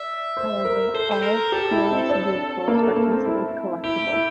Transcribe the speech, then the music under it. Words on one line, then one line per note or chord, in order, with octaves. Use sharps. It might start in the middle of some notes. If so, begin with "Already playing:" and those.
However, all Peerless vehicles are considered collectible.
Already playing: D5 E5
C5
A#4
A4 C5
C5
A#4
G4 A4
E4
C4
D4
A#3
A3
A#3
C4
E4
E4 G4
E4